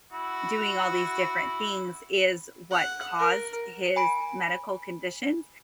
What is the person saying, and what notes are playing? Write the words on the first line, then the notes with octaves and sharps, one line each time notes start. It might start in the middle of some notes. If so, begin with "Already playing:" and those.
doing all these different things is what caused his medical conditions,
E4 F#4
F#5
A#4
G#5 B5 D7